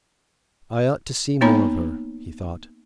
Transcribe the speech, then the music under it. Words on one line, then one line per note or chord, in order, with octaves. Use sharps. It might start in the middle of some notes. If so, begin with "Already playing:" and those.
"I ought to see more of her," he thought.
A#3 B3 D#4 C#5 A#5 B5